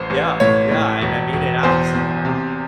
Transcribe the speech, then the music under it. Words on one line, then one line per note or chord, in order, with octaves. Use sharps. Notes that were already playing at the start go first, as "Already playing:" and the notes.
Yeah. Yeah, and I made it out, somehow.
Already playing: A1 C5
A1
A2 C#5
A2
E1
E1
E2 C5
E2
C3